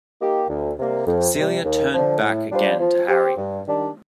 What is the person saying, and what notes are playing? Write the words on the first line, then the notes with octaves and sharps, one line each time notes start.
Celia turned back again to Harry.
A#3 D#4 G4
D2
C3 G3 A#3
F2
C3 G3
D#2
D3 F3
A2
G3 D4 F4 C5
F3
C4 G4
G2
D#3 G3 D4